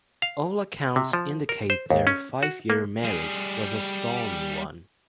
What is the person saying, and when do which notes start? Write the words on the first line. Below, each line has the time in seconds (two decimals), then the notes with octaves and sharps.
All accounts indicate their five-year marriage was a stormy one.
0.22 F5
0.96 C3
1.13 F3
1.49 A#4
1.70 C5
1.90 D#2
2.07 C#4
2.43 F#4
2.70 A#3
3.04 G3 G#4